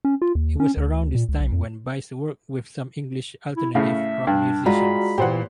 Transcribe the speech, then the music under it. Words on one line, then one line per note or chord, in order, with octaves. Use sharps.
It was around this time when Bice worked with some English alternative rock musicians.
C#4
F4
D#2
C#4
D2
A#2
C#2
B1
F2
E4
A2 C#3 E5 F5
G2 D4
G#3 F4 F#4 D5 A#5 B5
A#2 E3 G4 C5 F#5